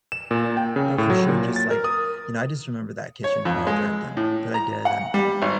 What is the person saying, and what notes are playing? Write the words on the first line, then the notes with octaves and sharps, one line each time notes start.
but for sure, just, like you know, I just remember that kitchen project and that I did and
E7
A#2
G5
C#3
A2
F#3
A#2
A6
A#4
D#6
C#5
F2
G#3
A2
A#5
F#5
G3
G#1